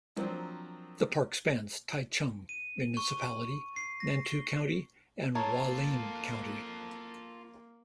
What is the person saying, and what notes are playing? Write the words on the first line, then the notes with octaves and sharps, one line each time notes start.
The park spans Taichung Municipality, Nantou County, and Hualien County.
F3 F#3 A#3 C4 D4
D#7
C#6
C7
A#6
G7
A#3 F4 A4 A#4 C#5 A5